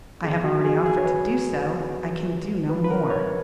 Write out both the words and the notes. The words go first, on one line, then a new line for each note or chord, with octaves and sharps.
I have already offered to do so--I can do no more.
G#2 F#3 B3 G#4
F#4
G#4
G#4
C#5
B4
B4
B4
A#4
C#5